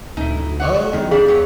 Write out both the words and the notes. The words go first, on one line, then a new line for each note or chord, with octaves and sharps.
Mhm. Um,
D2 D#4 E4
C#5 F#5
E2 D#3 D#4
G3 D4 G#4 F5
F#3 C#5